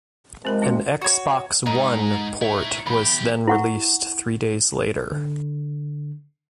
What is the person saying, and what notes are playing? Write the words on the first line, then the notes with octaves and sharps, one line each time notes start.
An Xbox One port was then released three days later.
C3 F3 G#3 C4 A#4 B5
C#4 F4 F#4
F#4 C#5
G#2 D#4
E4 C#5
E2 G4 B5
E4 F#5 C#6
D3